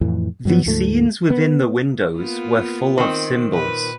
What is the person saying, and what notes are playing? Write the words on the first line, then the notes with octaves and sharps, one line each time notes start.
The scenes within the windows were full of symbols.
F2 A2 E3
G2 F#3 B3
D2 G#2 F3 A3
B3
A#3 B3 F4
D#3 C4
A#2 B4